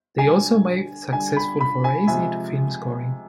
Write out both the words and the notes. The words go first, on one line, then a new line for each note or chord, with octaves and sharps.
They also made successful forays into film scoring.
D3 G3 G#5
D3 G3 G#5
B5
B5
G#5
C3 F3 G#3 G#5